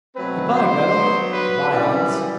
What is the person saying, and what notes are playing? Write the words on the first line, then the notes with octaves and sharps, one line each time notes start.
'Goodbye, Gretel.' 'Goodbye, Hans.'
B2 F#3 A3 C4 B4
C5
G2 F#3 B3
B4
F#2 E3 G3